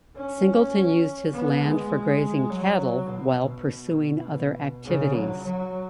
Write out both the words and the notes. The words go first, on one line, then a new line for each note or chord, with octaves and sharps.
Singleton used his land for grazing cattle while pursuing other activities.
C#4
B3
G#3
F#3
B2
B2
C#3
F#3
F#3